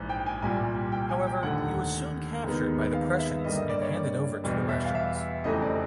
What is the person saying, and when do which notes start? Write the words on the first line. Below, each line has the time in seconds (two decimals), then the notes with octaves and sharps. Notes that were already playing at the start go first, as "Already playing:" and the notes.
However, he was soon captured by the Prussians and handed over to the Russians.
Already playing: A#1 G#2 E3
0.09 G5
0.26 G#5
0.42 C2 A#2 G3 G#5
0.92 G5
1.09 G#5
1.27 G5
1.42 F1 D#2 D3 F#5
2.43 D#2 D#3 G#3 B3 D#4
2.93 F5
3.19 E5
3.44 G2 D3 G3 A#3 D#5
3.56 D#5
3.69 D5
3.81 C#5
3.94 D5
4.44 E2 B2 G3 B3 D#5
4.69 E5
4.84 F5
4.95 E5
5.44 F1 F2 C#3 E3 A3 D#5
5.61 D5